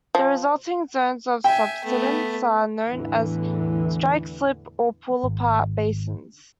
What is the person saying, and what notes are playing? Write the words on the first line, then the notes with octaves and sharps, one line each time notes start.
The resulting zones of subsidence are known as strike-slip or pull-apart basins.
F3
E5 G5 G#5
A3 B3
E2 A2 D3 E3
G#1